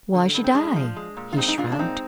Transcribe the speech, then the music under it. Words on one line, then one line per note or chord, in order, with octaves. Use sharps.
"Why should I?" he shrugged.
D3
G2
C4
G#3 D4
F3
G#3
A#2
F4
G#3 C4 D#4
D#4
A#2 D4 F4
D4
G#3 C4 D#4